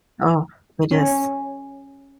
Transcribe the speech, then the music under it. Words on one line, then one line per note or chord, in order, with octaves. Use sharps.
Oh, it is.
C#4